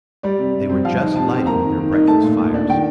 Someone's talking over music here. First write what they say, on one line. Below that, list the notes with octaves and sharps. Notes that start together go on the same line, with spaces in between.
They were just lighting their breakfast fires.
G3 D5
C3
C3
C4
F3 F5
D#4
C3 A5
C4
A#3 A#5
D#3
D#3
D#4
A3 A5
A#2
A#2
D4
D#3 G5